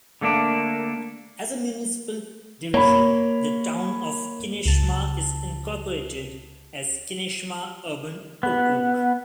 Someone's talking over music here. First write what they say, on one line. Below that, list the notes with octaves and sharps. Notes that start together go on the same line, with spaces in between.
As a municipal division, the Town of Kineshma is incorporated as Kineshma Urban Okrug.
D3 A3 A#3 D4
A#3 C#5 B5
C#2 A5
B3